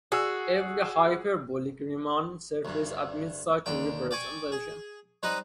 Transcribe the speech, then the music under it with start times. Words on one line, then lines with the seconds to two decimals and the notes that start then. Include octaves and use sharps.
Every hyperbolic Riemann surface admits such a representation.
0.12 F#4 G#4 E6
2.65 D2 G2
3.66 D#2 D3 G5
4.11 D5 G5 G#5 C#6
4.52 G#4
5.23 G3 C4 D#4 B4 D#5